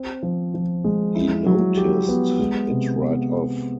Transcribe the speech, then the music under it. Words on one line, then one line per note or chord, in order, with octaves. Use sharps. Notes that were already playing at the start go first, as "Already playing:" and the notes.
He noticed it right off.
Already playing: C4
F3
F3
G#3
E4
F#3
G4
B3
G#3
C3
B3